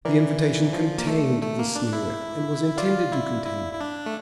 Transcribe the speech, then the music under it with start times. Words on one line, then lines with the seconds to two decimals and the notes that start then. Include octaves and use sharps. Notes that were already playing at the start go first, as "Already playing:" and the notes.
The invitation contained the sneer, and was intended to contain it.
0.05 E3 A#4 D5
0.73 F3
0.98 A#3
1.07 A3
1.42 A3
1.59 A#3
1.76 D4
1.93 E4
2.77 F4 D5 F5
3.12 E4
3.46 E4
3.73 E4
3.81 D4
4.06 A3